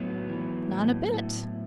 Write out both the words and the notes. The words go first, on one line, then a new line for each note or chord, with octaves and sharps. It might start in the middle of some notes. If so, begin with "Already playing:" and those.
'Not a bit.
Already playing: A2 F#3 B3
E3
A2
A2